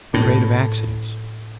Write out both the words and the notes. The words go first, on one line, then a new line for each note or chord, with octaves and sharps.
Afraid of accidents.
A2